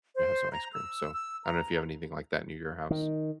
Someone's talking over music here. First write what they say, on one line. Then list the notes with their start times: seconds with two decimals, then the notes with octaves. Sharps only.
yeah, have some ice cream. So, I don't know if you have anything like that in your house.
0.16 C5
0.52 A#5
0.72 E6
1.13 E6
1.43 A#5
2.91 D#3